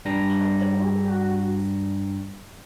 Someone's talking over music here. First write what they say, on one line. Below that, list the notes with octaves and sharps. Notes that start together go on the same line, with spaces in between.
Time to organize!
G2 G3 D4 A#5 A#6